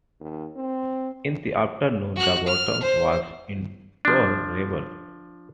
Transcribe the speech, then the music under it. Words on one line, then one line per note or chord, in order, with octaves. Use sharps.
In the afternoon the Bottoms was intolerable.
D#2
C4
F#4 F#6
F6
C5
F3 D4